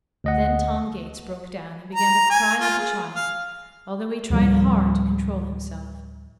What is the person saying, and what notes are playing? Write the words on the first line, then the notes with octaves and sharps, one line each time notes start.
Then Tom Gates broke down and began to cry like a child, although he tried hard to control himself.
D2 D#5 F#5
A#5
G#5
F4
G#4
F5
D2 A2 F3 G3